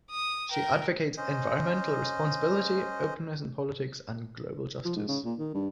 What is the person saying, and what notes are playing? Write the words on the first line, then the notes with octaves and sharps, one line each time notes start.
She advocates environmental responsibility, openness in politics, and global justice.
D#6
A#4 G5
C#4 C5 D#5
F3
G#2
C#3
A#2
D#3
G2